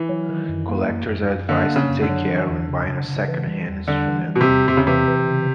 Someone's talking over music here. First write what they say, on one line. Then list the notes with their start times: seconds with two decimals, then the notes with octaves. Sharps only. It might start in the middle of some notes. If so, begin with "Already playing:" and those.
Collectors are advised to take care when buying a second-hand instrument.
Already playing: E3
0.09 F#3
0.29 D#3
0.49 F#2
0.69 A#3
0.89 F#2
1.08 F#2
1.29 F#2
1.49 D3 A#3
1.69 A#3
1.76 C#3
1.89 F#2
2.02 D3
2.09 F#3
2.29 E3
2.49 E2
2.69 C#3
2.88 C#3
3.09 C#3
3.28 E3
3.47 G3
3.68 E2
3.88 D3 G3
4.08 E3
4.28 G3
4.36 B2
4.41 C3
4.48 E2
4.68 E2 C3
4.77 C#3
4.87 C3 E3
5.08 E3
5.27 C#3